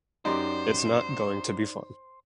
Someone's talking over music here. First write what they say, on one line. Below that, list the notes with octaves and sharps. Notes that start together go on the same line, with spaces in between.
It's not going to be fun.
F#2 D#4 G4 C5 D5 C6